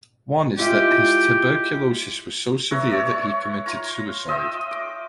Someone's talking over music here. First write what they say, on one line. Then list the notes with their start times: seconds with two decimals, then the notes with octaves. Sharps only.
One is that his tuberculosis was so severe that he committed suicide.
0.58 G#3 E4 F4 G4
2.71 B4 C#5 E5 A#5
2.90 C#5 D5 E5
3.05 C#5 C#6
3.66 F4 A#5
4.28 F4 D#5 E5 G5
4.71 D6